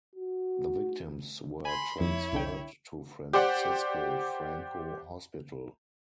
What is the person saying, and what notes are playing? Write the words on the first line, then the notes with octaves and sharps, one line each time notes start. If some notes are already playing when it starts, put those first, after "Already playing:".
The victims were transferred to Francisco Franco Hospital.
F#4
G#5 B5 C6
F2 E4 C#5
C2 D3 G5
G4 C5 D5 F#5